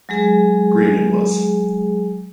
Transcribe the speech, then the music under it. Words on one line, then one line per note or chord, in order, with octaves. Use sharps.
Green, it was.
F#3 G#3 G#4